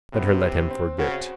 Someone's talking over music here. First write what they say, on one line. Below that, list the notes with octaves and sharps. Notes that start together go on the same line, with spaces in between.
Better let him forget.
C3 B3
C4
C#3 F#4